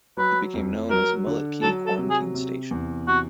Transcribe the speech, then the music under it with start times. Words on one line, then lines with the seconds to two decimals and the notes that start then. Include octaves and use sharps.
It became known as Mullet Key Quarantine Station.
0.17 F#3 B4
0.54 F2
0.90 F#3 A#4
1.27 D3
1.62 F#3 A4
1.86 A4
1.98 C3
2.10 G#4
2.34 C3
2.71 E2
3.07 C3 F#4